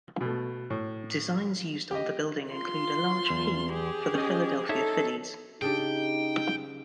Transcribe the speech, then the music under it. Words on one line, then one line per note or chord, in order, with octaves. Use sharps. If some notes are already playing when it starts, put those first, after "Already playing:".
Designs used on the building include a large "P" for the Philadelphia Phillies.
B2 A3
A2
G4 D#5
F4 C6
E2
G4 G#4
C#4 D#5
D#4 A4 C#5 E5
C#3 D4 D#4 G4 G5